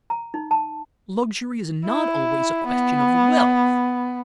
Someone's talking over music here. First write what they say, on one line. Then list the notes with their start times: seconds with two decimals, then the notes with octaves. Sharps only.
Luxury is not always a question of wealth.
0.10 A#5
0.34 D#4
0.51 A5
1.86 E4
2.67 B3